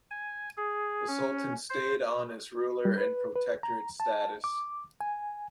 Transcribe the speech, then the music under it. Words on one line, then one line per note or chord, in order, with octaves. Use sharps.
The Sultan stayed on as ruler in protectorate status.
G#5
G#4
C#4
C5
G3
B4
B4
A#5
A5
D6
G#5